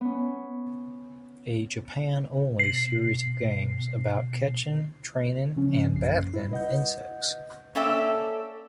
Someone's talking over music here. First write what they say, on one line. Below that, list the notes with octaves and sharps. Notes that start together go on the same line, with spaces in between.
A Japan-only series of games about catching, training and battling insects.
B3 C#4
B2 C7
C#3 F3 C#4
A#1 F#2 C7
G3 E4
B4 D#5 F#5 G6
A#3 C#4 A4 D5 E5 G5